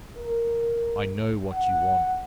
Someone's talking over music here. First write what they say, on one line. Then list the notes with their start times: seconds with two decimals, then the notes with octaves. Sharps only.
"I know what you want."
0.18 A#4
1.52 F#5